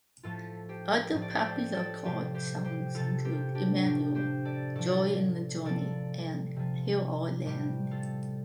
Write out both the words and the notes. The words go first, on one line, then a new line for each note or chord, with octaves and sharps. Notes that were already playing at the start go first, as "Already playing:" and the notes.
Other popular Card songs include "Immanuel", "Joy in the Journey", and "Heal Our Land".
A2 F3 F4 A4
G4 C5
A2 F3
D5
C5
A4 D5
G4 C5
A4 D5
C3 F3 G4 C5
G4 C5
G4 C5
C3 F3 F4 A4
G4 C5
D4 G4
A2 F3 G4 C5
G4 C5
A4 D5
A2 F3 A4 D5
C3 F3 A4 D5
C3 F3
A2 G3 G4 C5
F4 A4